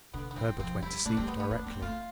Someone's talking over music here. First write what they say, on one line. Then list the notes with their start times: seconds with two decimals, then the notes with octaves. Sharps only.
Herbert went to sleep directly.
0.14 D3 B3
0.31 B3
0.36 E3 C4
0.49 E3
0.60 F3 C4
0.82 G3 E4
1.05 A3 D4
1.17 G3 C4
1.28 B3
1.33 A3
1.40 B3
1.51 B3 D4
1.66 B3 C4
1.82 A3 F4